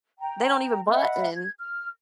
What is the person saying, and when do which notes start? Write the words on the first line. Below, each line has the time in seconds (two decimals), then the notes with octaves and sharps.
they don't even button."
0.20 G5 A#5
0.91 D#5 E5 F#5 B5
1.34 G#6
1.59 F6